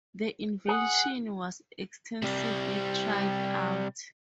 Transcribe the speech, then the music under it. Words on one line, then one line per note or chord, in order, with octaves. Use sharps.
The invention was extensively tried out.
G#4 F#5
C3 G3